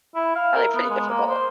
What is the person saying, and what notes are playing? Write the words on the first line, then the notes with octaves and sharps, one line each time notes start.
probably pretty difficult.
E4
F5
A#4
B3
G#3
A#3
C5